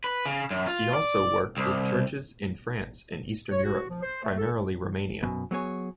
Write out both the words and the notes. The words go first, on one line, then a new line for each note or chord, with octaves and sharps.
He also worked with churches in France and Eastern Europe, primarily Romania.
B4
C#3
F#2
F4
D5
C2
C#5
F#4
F3
C5
A3
A4
F#2 B2
F#3 B3 G#4 C#5